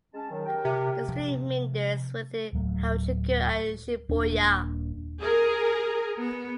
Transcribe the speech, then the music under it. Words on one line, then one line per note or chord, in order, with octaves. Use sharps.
The street meanders within Harajuku and Shibuya.
G#3 C#4 A5
D#3 F#3
G4 A#4 G5
C3
C3 F3
D1 F#3 A3
D#1 A#3 D4
G#4 A#4
B3